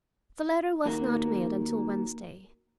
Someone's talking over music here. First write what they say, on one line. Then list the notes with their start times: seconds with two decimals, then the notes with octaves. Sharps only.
The letter was not mailed until Wednesday.
0.86 D#2 A#3 F#4 A#4